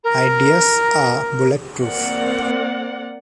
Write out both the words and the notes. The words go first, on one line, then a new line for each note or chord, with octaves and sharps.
Ideas are bullet proof.
A#4
A#3 C4 A#4 D5 F#5